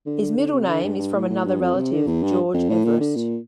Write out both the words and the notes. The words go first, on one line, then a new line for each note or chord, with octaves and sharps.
His middle name is from another relative, George Everest.
D3
D3
D3
C3
D3
G2
G2
A2
A2
G2
F2
C3
D3
E2
G2
F2
A2
A#2
D3
A#2